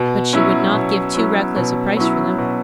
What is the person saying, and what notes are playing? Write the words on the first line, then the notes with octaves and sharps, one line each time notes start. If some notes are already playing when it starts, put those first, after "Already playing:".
But she would not give too reckless a price for them.
Already playing: B2
F#3 C#4 E4
B2
F#3 C#4 E4
B2
F#3 C#4 E4
B2